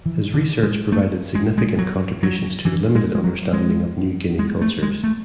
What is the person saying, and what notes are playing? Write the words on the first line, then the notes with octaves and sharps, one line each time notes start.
His research provided significant contributions to the limited understanding of New Guinea cultures.
E3
D3
G#3
A3
G#3
G#3
F#3
F#3
E3
G#3
G#3
F#3
G#3
G#3
A3
G#3
A3